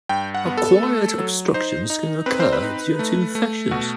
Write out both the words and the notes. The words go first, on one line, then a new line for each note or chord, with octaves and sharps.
Acquired obstructions can occur due to infections.
G2 G5
F#5
B3
A4
A3
F#3
D#4 C5
D#4
C4 B4
C5
B4
D#4
A3
A3
B2 F#4